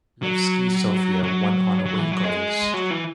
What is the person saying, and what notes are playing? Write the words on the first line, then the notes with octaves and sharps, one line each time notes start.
Levski Sofia won on away goals.
F#3
F#3
F#3
E3
F#3
G#3
F#3
E3